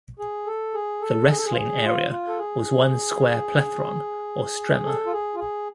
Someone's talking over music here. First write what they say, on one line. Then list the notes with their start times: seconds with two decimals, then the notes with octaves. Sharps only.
The wrestling area was one square plethron or stremma.
0.20 G#4
0.47 A4
0.74 G#4
1.02 A4
1.29 G#4
1.37 A4
1.46 G#4
1.52 F4
1.57 G#4
1.84 F4
2.11 F4
2.28 A4
2.38 G#4
4.84 A4
5.06 F4
5.13 G#4
5.35 F4
5.39 G#4